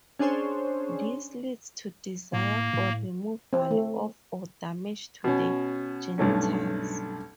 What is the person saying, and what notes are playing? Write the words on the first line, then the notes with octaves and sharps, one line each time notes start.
This leads to desire for removal of or damage to the genitals.
C#4 D4 G#4 C5 C#5
A2 A#3
A2
C4
A3
B2 C#4
B1 G2 A3 C#4